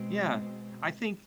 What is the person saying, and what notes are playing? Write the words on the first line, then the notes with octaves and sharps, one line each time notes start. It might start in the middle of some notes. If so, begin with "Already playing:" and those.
Yeah. I think
Already playing: B2 G#3 C4